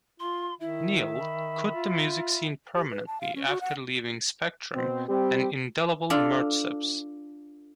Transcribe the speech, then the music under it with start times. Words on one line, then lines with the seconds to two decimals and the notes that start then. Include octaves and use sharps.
Neale quit the music scene permanently after leaving Spectrum and Indelible Murtceps.
0.20 F4 C6
0.61 D#3 E4 E5
1.20 B5
1.74 F4
2.75 G4
2.91 B4
3.07 A5
3.21 F5
3.35 C#4
3.47 F#4
3.61 F#5
4.74 B2 C4
5.09 G3 C4 G4
6.10 D4 F4 A4